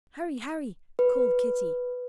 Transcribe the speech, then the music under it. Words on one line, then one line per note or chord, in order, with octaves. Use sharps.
"Hurry, hurry!" called Kitty.
B4